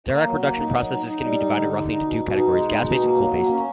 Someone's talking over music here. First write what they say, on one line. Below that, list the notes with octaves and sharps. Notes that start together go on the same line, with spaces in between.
Direct reduction processes can be divided roughly into two categories: gas-based, and coal-based.
A#3
F#3
A#3
D#4
F#3
D#4
D#4
G3
D#4
D3
D#4
D#4
B2
B2
D#4
G#3
D#4
B2
A#3
F#3
A#3
C#4